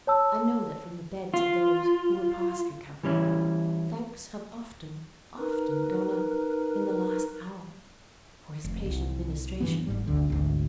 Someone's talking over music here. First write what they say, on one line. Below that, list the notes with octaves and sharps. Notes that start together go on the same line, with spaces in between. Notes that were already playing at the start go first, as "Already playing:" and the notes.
I know that from the beds of those who were past recovery, thanks have often, often gone up, in the last hour, for his patient ministration.
C#5 A5 E6
F4
E3 G3 C#4 E4
D#4 A#4 B4
F1
C2
G2 E3 B3
G1 G#2 G3
G1 D2 D3
G#1 D2